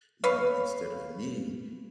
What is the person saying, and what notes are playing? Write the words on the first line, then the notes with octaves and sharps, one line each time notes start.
you know, instead of me,
B4 C#5 F5